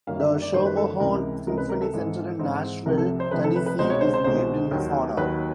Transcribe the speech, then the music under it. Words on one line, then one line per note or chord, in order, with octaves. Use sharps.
The Schermerhorn Symphony Center in Nashville, Tennessee, is named in his honor.
F#2 D#3 G3 A#3 F5
E5
D5
F#2 D#3 G3 A#3 C5
B4
A4
C#2 C3 E3 G#3 A#4
C#2 C3 E3 G#3 A#4
B4
A#4
A4
G#2 E3 G#3 C4
G#2 E3 G#3 C4
C2 C3 F3 A3 A#4
A4
C5
C2 C3 F3 A3 B4
A4
B4
B4
C2 B2 G#3 C5
C#5
C5
C5
C2 B2 G#3 C5
D#2 D#3 F#3
D#2 D#3 F#3 B4